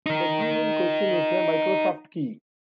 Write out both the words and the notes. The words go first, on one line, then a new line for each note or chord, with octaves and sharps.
The key in question is a Microsoft key.
D#4 A#4